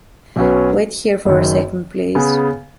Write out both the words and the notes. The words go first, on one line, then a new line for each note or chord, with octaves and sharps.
Wait here for a second, please.
B1 B2 F#3 C#4 B4
F#1 F#2 D#3
C#3 B3 G#4